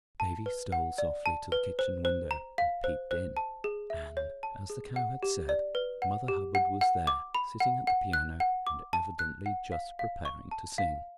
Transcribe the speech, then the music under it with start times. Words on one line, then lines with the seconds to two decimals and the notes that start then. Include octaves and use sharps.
Davy stole softly to the kitchen window and peeped in, and, as the Cow had said, Mother Hubbard was there, sitting at the piano, and evidently just preparing to sing.
0.20 A5
0.46 B4
0.72 F#5
0.98 D5
1.26 A5
1.52 B4
1.79 C5
2.05 C5
2.31 A#5
2.58 F5
2.84 C5
3.11 C5
3.37 A5
3.64 G#4
3.90 E5
4.17 C#5
4.43 A5
4.70 G#4
4.96 F#5
5.23 G4
5.49 D5
5.75 B4
6.02 F#5
6.28 G4
6.55 F#5
6.81 F#5
7.07 D6
7.35 B5
7.60 F#5
7.87 F#5
8.13 F#6
8.40 F#5
8.67 D6
8.93 A5
9.19 F#6
9.46 F#5
9.72 F5
9.99 F5
10.25 C#6
10.51 A5
10.78 F5